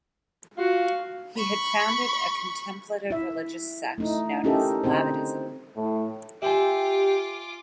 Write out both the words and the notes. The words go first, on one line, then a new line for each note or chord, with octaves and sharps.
He had founded a contemplative religious sect known as Labadism.
F4 F#4 F5
B5 C#6
E4 E5
A3 D#4 E4
C#4 D#4 E4 G4 A4 A#4
D3 C4 D#4 G#4 C5
A2
F4 G4 E5 G#5 D6